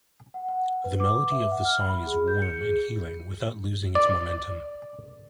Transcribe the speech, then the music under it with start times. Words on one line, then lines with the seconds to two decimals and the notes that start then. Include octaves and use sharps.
The melody of the song is warm and healing without losing its momentum.
0.34 F#5
0.49 F#5
0.84 B4
1.00 D6
1.32 E5
1.52 F#5
1.65 F6
1.81 B5
2.07 G#4
2.28 G6
2.42 C#7
2.61 G#4
3.95 D5